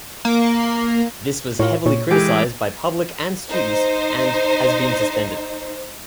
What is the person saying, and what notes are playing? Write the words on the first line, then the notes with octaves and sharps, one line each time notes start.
This was heavily criticized by public and students and has been suspended.
A#3
A2 F4 A#4 C#5
A#2 C#5
E3 G#3 G4 A4 G#5 D6
D#4 C5